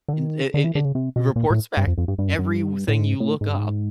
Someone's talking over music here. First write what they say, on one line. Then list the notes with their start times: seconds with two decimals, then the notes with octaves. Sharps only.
It it it it reports back everything you look up,
0.08 D3
0.13 D#3
0.54 D3
0.64 E3
0.75 D3
0.85 C#3
0.95 C3
1.16 B2
1.36 A#2
1.50 A2
1.77 G2
1.87 F2
1.98 F2
2.08 G2
2.18 G2
2.28 F#2
2.39 F#2
2.49 G2
2.88 A2
3.00 G#2
3.20 A2
3.41 G#2
3.49 G2
3.59 G#2